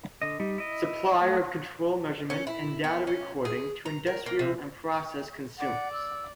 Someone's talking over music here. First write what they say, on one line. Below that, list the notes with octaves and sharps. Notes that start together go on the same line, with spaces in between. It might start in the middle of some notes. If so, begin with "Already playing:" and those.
Supplier of control measurement and data recording to industrial and process consumers.
D3 D#5
G3 D#4
E4 D#5
A3
C#4
E4
B3
C#4
G#4
A#5
A#4
A#3
C3
D5 F#5
E6